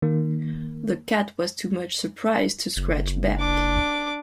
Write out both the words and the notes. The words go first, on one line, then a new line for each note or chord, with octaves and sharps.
The cat was too much surprised to scratch back.
D#3 A#3
F#1
D4 D6